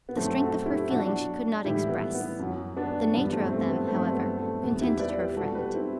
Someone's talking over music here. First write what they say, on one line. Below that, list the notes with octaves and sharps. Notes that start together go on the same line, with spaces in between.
The strength of her feelings she could not express; the nature of them, however, contented her friend.
B3
F#2 F#3 A3 C4
F#4 A4
E4 G4
B2 F#3 D4 F#4
A2 E3 G3 E4 G4
B3
B3
F#2 F#3
B3 D4
G2 E3 G3 B3
A3 C4
A3 C4
B3
G2 F#3 A3 C4
B3
A3
E2 C3 E3 G3 B3
E4 G4
B4 D5
G4 B4
B2 G3 F#4 A4
G4 B4
C4 E4